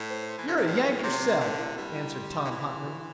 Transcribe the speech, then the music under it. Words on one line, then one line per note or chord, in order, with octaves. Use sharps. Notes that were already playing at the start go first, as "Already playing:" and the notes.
"You're a Yank yourself," answered Tom hotly.
Already playing: A2
C5
C6
E3
D3 C6
C3
A2 G5
E5
C3 C6
G5
D3 A5
E4
G3 E4
E4
C6
C6
D3
E3 E4
C6
G4